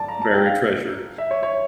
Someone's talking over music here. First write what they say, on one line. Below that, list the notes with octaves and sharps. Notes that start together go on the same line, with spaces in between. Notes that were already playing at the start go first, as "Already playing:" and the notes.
buried treasure,
Already playing: D5 A5
A#5
A5
G5
F5
E5
C#5
C#5